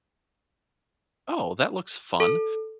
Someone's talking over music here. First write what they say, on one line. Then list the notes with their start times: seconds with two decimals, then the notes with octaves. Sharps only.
"Oh, that looks fun."
2.20 A4